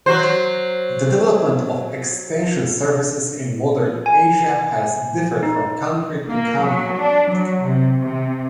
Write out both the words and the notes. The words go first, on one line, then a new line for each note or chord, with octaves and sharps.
The development of extension services in modern Asia has differed from country to country.
F#3 F#4 C5
G#5
D#4
A#3
F#3
D4
F#3
C3
C3